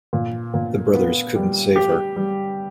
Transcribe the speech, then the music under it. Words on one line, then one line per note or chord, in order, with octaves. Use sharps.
The brothers couldn't save her.
A#2
A#2
B3
G3
G4
G3